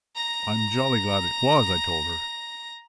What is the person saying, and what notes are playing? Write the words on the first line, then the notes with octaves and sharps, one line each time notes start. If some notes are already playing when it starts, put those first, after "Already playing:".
"I'm jolly glad it was!" I told her.
A#5 A#6